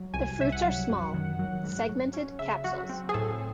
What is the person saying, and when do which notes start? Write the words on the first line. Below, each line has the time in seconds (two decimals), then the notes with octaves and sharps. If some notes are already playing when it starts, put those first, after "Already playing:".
The fruits are small, segmented capsules.
Already playing: F#3
0.14 C2 G#5
0.39 C3 E5
0.52 F#5
0.64 F#3
0.90 F#2
1.14 D#3
1.39 F#3
1.64 G#2
1.89 F#3
2.14 C#4
2.39 C#3 E5
2.64 F#3 F#4
2.89 C4
3.09 G#4
3.14 A2 A4